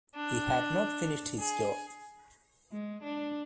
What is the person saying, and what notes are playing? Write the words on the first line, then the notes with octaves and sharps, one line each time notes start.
He had not finished his job.
D4
G#4
G#3
D4